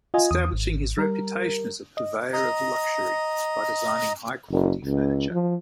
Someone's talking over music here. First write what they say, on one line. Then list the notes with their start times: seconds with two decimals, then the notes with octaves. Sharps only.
Establishing his reputation as a purveyor of luxury by designing high-quality furniture.
0.14 F4 D#5 G#5
0.31 E2 D#6
0.53 G#1
0.98 G3 A#4
1.97 D#5
2.33 D#5 A#5
4.51 F#1
4.85 C#2
5.31 F3